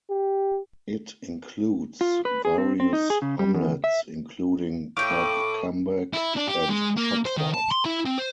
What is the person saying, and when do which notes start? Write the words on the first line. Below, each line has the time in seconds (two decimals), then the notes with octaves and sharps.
It includes various hamlets including Kirkcambeck and Shopford.
0.10 G4
2.01 F4
2.25 B4
2.45 G#4
2.58 C4
2.80 C4
2.93 D#4
3.10 G#4
3.22 C#3
3.39 G3
3.54 E2
3.84 E5
4.97 A2 F5 G5 C#6 D6
6.14 E4
6.37 D4
6.48 G4
6.69 G#3
6.97 A#3
7.25 C5
7.37 D#3
7.54 A5
7.71 C6
7.86 E4
8.05 C4
8.18 C5